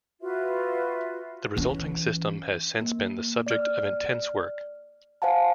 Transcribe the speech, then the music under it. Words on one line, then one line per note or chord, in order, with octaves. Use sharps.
The resulting system has since been the subject of intense work.
F4 F#4 B4 E5
E3 C#4
A#3
D5 F6
C5 F5 F#5 G#5 A5